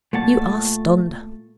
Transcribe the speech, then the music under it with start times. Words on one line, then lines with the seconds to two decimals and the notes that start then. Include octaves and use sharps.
You are stunned.
0.13 A#2 A3 A#3 F#5 A5